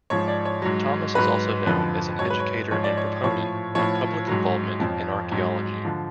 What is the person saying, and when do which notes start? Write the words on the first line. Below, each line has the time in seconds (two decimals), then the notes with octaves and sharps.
Thomas is also known as an educator and proponent of public involvement in archaeology.
0.10 G#2 F3 C#5
0.28 D5
0.45 C#5
0.62 G#2 F#3
1.14 G#2 F#3 B4
1.66 F2 D3 F3 B4
2.19 G#2 F#3 C#5
2.30 B4
2.40 C#5
2.71 G#2 F3 C#5
2.84 D5
2.97 C#5
3.24 A2 F3 C#5
3.75 A2 F3 C#5
4.28 G#2 F#3
4.80 F2 F3
5.32 G#2 F#3
5.85 D3 F3